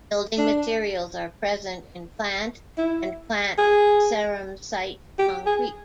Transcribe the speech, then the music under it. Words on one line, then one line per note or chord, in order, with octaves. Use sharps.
Building materials are present in plant and plant ceramsite concrete.
D4
E4
G#4
G4
G#4